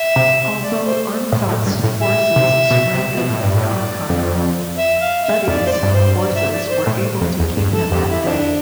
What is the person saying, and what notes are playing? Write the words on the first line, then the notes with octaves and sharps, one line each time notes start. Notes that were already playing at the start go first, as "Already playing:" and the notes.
Although Armfeldt's forces surrounded Trondheim, Budde's forces were able to keep him at bay.
Already playing: E5
C3
D5
C5
A2
A2
G2
A2
E5
C3
B2
C3
B2
A2
G2 D5
A2
F2
E5
F5
E5
F2 D5
C5
D5
G2
C5
D5
E5
D5
C5
A2
F2
E2
G2
A4
F2 G4
E4
F2 D4